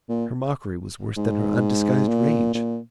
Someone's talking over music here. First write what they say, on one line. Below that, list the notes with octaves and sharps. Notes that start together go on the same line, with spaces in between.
Her mockery was worse than her undisguised rage.
A#2
G#2
A#2
A#2